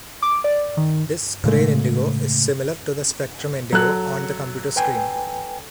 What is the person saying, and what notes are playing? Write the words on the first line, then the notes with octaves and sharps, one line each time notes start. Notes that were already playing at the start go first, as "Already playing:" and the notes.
This screen indigo is similar to the spectrum indigo on the computer screen.
D6
D5
D#3
A2 C#3 G#3 A3
F#3 A4 F#6
B4 G5 G#5